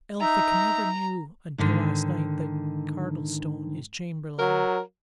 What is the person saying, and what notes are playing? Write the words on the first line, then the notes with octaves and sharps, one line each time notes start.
Elphick never knew until last night that Cardlestone is Chamberlayne.
D#4 E5 A#5
G#2 D3 D#3
F#3 A#4